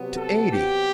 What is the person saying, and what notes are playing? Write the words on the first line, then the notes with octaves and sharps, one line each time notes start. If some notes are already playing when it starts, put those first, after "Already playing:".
To eighty! ...
Already playing: C3 F#3 B3
A4
G4